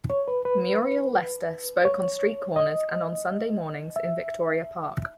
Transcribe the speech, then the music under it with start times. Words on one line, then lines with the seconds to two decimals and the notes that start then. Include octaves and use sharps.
Muriel Lester spoke on street corners and on Sunday mornings in Victoria Park.
0.10 C#5
0.28 B4
0.45 B4
1.85 C#5
2.56 D#5
3.96 E5